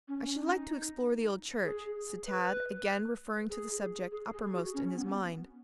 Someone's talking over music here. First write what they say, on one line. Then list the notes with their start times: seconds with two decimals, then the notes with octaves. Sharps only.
"I should like to explore the old church," said Tad, again referring to the subject uppermost in his mind.
0.08 C#4
0.24 C#4
0.40 D#4
1.64 G#4
2.26 B4
3.50 G#4
4.12 G#4
4.33 G#4
4.54 F#4
4.74 C#4
4.95 B3